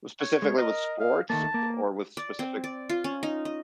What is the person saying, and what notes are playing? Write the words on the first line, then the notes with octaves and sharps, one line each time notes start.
Specifically with sports or with specific
C#5
G#3
A#4 D#5
F5
D#3 A3 A#3 A5
A#3
D5
C4
D5
F4
C#4
D#4
D#5